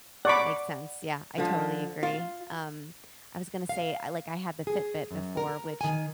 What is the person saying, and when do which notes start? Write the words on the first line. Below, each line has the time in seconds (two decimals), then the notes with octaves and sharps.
Makes sense, yeah, I totally agree. Um, I was gonna say, I like, I had the Fitbit before, which
0.25 D5 F#5 B5 C#6 D6
1.38 D3 F3
2.03 F4
3.69 F5
4.67 G#4
5.11 F#2
5.37 A#4
5.81 D#3 G#5